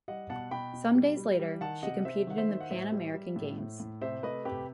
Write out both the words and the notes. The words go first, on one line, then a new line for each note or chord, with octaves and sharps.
Some days later, she competed in the Pan American Games.
G3 D#5 F#5
B2 F#5 A5
B2 G5 B5
B2
G3
G3
G3
D#3 F#5 A5
C3 D#5 F#5
C3 C5 E5
D#3 F#5
C5 E5
D#3
F#5
A2 C5 E5
G3
G3
A2
A2
A2
C3 C5 E5
A3 B4 D#5
C3 G4 B4